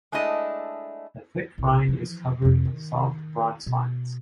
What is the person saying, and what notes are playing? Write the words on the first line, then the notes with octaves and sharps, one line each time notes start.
The thick rind is covered with soft, broad spines.
G#3 A3 D4 E4 D#5
B1
E3 F3
F2 C3
D#3
B2